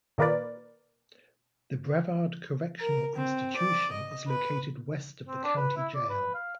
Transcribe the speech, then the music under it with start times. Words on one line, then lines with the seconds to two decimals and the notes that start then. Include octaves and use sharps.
The Brevard Correctional Institution is located west of the county jail.
0.18 A#2 D#3 A#3 A#4 B4 D5
2.80 A#4
3.15 C4
3.56 D5
3.92 D#5
4.28 B4
5.28 C4
5.44 D4
5.57 B4
5.77 E4
5.95 D5
6.10 B4
6.34 F5